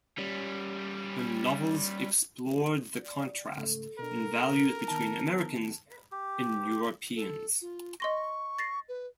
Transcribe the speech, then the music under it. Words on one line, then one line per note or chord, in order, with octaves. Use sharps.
Her novels explored the contrast in values between Americans and Europeans.
G3 C#4
D5
G#2 C#3 A3 A4
B2 D4 A#4
D#3 B3 D#4 A5
G4
A4
F4
D#5 C6 C#6 A#6
A6 A#6 C7
B4